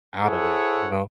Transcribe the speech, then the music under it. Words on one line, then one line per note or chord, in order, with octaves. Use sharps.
out of there, you know?
E4 G#4 A4 C5 C#5 F#5